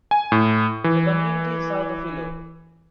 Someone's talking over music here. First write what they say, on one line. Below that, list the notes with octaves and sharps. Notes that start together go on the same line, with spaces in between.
The community is south of Hilo.
G#5
A2
E3